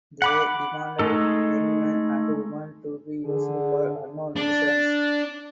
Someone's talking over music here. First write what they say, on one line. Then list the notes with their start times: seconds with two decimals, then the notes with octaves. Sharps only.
They demanded young men and women to be used for unknown reasons.
0.22 F#5 B5 D6
0.99 G#3 A3 D#4 A4
3.26 D3 G#4
4.37 D4